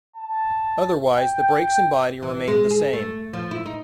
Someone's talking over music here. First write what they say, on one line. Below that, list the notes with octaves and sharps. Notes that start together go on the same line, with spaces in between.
Otherwise, the brakes and body remained the same.
A5
G5
E3
G#3
G#4
A3
F3
E4
D#4